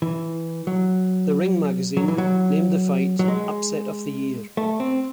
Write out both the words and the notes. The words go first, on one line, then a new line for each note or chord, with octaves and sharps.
"The Ring" magazine named the fight Upset of the Year.
E3
F#3
F#3
E3
F#3
F#3
G#3
A3
C4